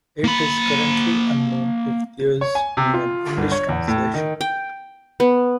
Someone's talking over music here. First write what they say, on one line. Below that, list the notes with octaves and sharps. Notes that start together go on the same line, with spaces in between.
It is currently unknown if there will be an English translation.
A#3 B5
C#5
G#5
C3
F4
G1
C#5
E2
A2
D#3
G5
B3